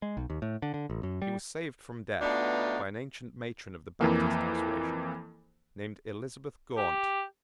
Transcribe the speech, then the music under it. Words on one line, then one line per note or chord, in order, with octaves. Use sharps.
He was saved from death by an ancient matron of the Baptist persuasion, named Elizabeth Gaunt.
G#3
B1
D#2
A2
D3
D3
A1
F#2
G3
B2 A3 B3 D4 D#4 F4
F2 E3 A#3
G4